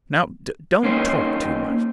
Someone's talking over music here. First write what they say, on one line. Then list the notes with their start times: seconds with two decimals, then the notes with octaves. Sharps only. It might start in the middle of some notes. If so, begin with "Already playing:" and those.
Now don't talk too much.
0.83 A#3 C#4 D#4 C5